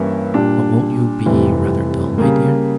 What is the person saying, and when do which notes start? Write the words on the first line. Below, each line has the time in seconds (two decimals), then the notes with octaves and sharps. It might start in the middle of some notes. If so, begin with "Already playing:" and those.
"But won't you be rather dull, my dear?"
Already playing: G2 E3 A#3 C#4 E4
0.34 A#2 G3 D4
1.26 F1 F2 E3 G3
2.18 C#3 G3 A#3